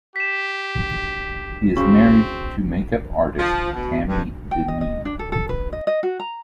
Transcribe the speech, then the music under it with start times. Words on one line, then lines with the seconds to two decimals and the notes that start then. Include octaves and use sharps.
He is married to makeup artist Tammie Dineen.
0.16 G4 B6 E7
1.77 C#3 C4 F#4 C#6
3.38 F3
3.73 B2
4.08 G2
4.51 G5
4.68 D#5
4.81 D#5
5.05 D4
5.19 A4
5.32 A4
5.49 B4
5.73 D#5
5.87 D#5
6.03 F#4
6.20 A#5